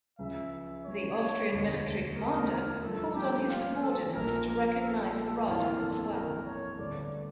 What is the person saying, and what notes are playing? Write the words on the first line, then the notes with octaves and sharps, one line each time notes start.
The Austrian military commander called on his subordinates to recognize the Rada as well.
C#2 C#3 F3 E5
C#5
E1 D2 D3 A3
A#4
G2 F3 A3 A4
G4
F4
A4
A#1 A#2 F3 A#4
A#4
A4
A4
G1 F2 E3 A#3 E4 F4
A4
A#4
C#5
G1 G2 D3 A3 D5